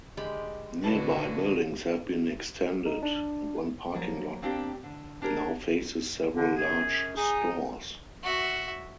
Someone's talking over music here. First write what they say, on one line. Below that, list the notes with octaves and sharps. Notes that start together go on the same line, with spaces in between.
Nearby buildings have been extended, and one parking lot now faces several large stores.
D3 G#3 G4 B5
B1 A2 D3 F#4 B4 A5
D#4
D4
F3 F#3 A#3
A#3 C4 D4 G4
D3
D4 G4 G#4 A#4
D3
F#2 G#4
D#4 G#4
F#4 E5